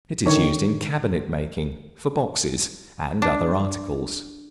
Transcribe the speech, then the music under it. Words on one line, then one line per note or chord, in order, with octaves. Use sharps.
It is used in cabinet-making, for boxes, and other articles.
D3 D#3 C#5
D4